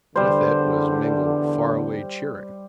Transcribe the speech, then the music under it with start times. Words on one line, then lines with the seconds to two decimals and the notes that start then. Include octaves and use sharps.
With it was mingled far-away cheering.
0.16 E2 D3 G3 C5